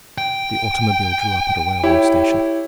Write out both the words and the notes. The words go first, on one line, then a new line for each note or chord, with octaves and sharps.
The automobile drew up at a railroad station.
G5
E4 G4 C#5